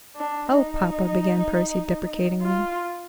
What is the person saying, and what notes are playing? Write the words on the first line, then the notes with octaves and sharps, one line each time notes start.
"Oh, papa!" began Percy, deprecatingly.
D4
D#4
F4